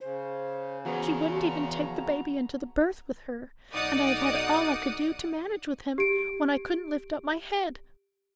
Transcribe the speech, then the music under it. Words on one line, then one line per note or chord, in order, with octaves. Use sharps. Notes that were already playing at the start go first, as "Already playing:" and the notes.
She wouldn't even take the baby into the berth with her; and I have had all I could do to manage with him, when I couldn't lift up my head.
C#3 C5
E2 F#4 G#4 B4 A#5
A5 C6 C#6
B1 D#4 D5 F#5 D#6
G4 D7